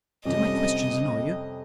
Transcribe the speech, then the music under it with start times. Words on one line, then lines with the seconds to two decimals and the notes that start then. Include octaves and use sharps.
"Do my questions annoy you?"
0.25 F2 C3 G3 C#4 D#5